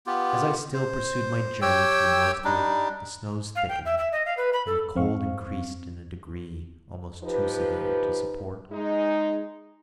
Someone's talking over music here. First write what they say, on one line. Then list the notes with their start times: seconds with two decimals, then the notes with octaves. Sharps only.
As I still pursued my journey to the northward, the snows thickened and the cold increased in a degree almost too severe to support.
0.07 B3 F4 G4
0.73 C5
1.62 G4 C#5 G5 E6
2.45 G3 D4 D#4
3.56 F5
3.69 G5
3.86 E5
3.98 E5
4.12 D#5
4.26 F5
4.37 B4
4.53 B5
4.66 A4
4.96 F2 C4 F5 C#6
7.23 F3 D#4 G4 B4
8.72 G#3 D#4